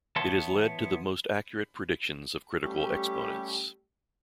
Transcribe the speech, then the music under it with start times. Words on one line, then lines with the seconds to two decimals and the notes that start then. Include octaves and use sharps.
It has led to the most accurate predictions of critical exponents.
0.16 E3 B3 C#5 A5 C6
2.63 G3 A3 C#4 G4